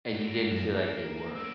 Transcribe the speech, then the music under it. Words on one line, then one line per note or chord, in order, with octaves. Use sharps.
And you didn't feel like they were?
G#2 F#4
A#6 D7
F#2 A#3 F4 E7
A#3 A#4
A#3 C#4 E6 D7